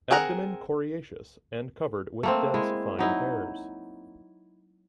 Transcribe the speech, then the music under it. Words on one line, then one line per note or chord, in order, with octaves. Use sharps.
Abdomen coriaceous and covered with dense fine hairs.
C4 G#4 A#4 F#5 A#5
A3 A#3 C4
G#3 E4
F#3 D#4 E4